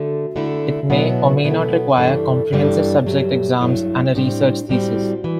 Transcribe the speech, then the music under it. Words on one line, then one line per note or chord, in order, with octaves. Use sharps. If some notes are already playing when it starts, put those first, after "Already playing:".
It may or may not require comprehensive subject exams and a research thesis.
Already playing: D3 A3 F#4
D3 A3 E4
B2 F#3 B3 E4 F#4
B2 F#3 B3 E4 A4
G2 E3 G3 D4 A4
G2 E3 G3 D4
G2 F#3 A3 G4
G2 F#3 A3 E4
A2 G3 C4 D4
A2 G3 C4 F#4
E3